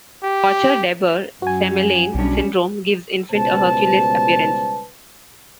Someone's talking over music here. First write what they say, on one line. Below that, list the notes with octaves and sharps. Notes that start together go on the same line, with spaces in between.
Kocher-Debre-Semelaigne syndrome gives infant a Hercules appearance.
G4
F#2 F#4 G#5
B1 G3 C#4 D4
C#2 B2 G3 B4 C5 A5